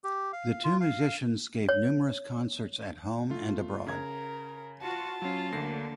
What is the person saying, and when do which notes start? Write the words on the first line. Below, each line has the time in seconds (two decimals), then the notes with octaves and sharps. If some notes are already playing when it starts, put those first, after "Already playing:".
The two musicians give numerous concerts at home and abroad.
0.04 G4
0.33 F5
0.64 F4
0.81 F5
1.69 C#5
3.30 A3 F4
3.87 C#3 A#4 G#6
4.82 F4 F#4 A5
5.22 F#3 C#4 F4
5.52 D2 D3 F#3 A#3 A#6 C7